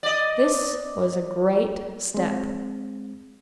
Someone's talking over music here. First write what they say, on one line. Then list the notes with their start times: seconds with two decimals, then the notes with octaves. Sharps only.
This was a great step.
0.03 D5 D#5
2.14 G#3 C4